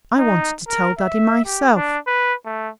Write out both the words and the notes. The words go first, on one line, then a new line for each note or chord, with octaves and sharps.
I wanted to tell daddy myself.
D#4
A#4
E5
G4
D4
B4
A3